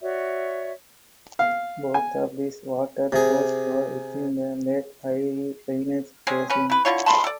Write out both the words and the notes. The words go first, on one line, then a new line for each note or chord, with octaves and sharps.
Both of these watercourses are within the Lake Eyre drainage basin.
F#4 C#5 D5 E5
F5
G#5
C3 G#4
G#3 C4 C#4 G#4
C#4 B4
E4 B4
D3 E4 F4 C#5
A5 B5 C6
A4 D5